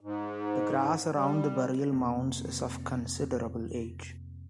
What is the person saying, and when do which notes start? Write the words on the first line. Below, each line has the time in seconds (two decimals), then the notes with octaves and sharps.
The grass around the burial mounds is of considerable age.
0.01 G#2
1.14 G3
1.93 F2 C3 A#3 C4